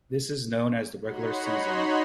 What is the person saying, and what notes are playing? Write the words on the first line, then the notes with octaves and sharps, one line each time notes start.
This is known as the regular season.
D#4 F#4 C#5 F#5 B5 C6